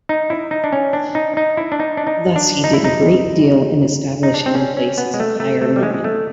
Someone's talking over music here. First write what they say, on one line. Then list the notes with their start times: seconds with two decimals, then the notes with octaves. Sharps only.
Thus he did a great deal in establishing places of higher learning.
0.09 D#4
0.30 E4
0.51 D#4
0.64 D4
0.73 C#4
0.93 D4
1.15 D#4
1.37 D#4
1.57 E4
1.72 D4
1.80 D#4
1.97 D4
2.07 D#4
2.36 D4
2.64 D#4
2.73 E4
2.84 D#4
4.23 D#4
4.34 D4
4.46 C4
4.55 C#4
4.77 C#4
4.98 B3
5.14 G#3
5.20 A3
5.40 A3
5.61 A3
5.76 G3
5.83 G#3
5.94 G#3
6.04 A3